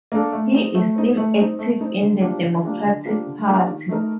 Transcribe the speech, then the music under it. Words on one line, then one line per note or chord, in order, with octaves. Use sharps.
He is still active in the Democratic Party.
A#3 D4 A4
A3
C4 D#4
A3
C4 D#4
A3
C4 D#4
A3
C4 D#4
D3
F3 A#3 D4 G4
D3
F3 A#3 D4 G4
D3
F3 A#3 D4 G4
D3
F3 A#3 D4 G4
D#3
A3 D#4 A#4